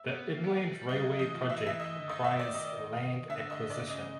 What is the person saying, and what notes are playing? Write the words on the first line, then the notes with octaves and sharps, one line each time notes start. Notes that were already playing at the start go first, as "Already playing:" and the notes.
The Inland Railway project requires land acquisition.
Already playing: E5
B3
A#3
B3
G#3
G3
G3 D#5
F#3
F3 D#5
E3
F3
E3 E5
D#5
E5
D#5
D3
D#3 D#5
E5
D5
D#5
D3 E5
D#5
D5
C#3 D#5